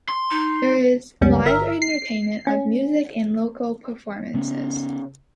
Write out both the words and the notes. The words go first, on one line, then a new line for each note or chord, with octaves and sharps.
There is live entertainment of music and local performances.
C6
D#4
C#2 F#2 G3 B3 C#4
G1 A#4 E5
C7
C#4
C#3 B3 C#4